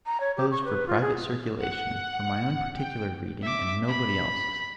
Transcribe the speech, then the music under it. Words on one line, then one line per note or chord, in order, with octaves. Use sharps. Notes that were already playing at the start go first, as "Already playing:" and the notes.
It's composed for private circulation, for my own particular reading, and nobody else's.
A#5
C#5
G4
C#6
B4
F4
G#4
F#5
G5
E5 D6
B5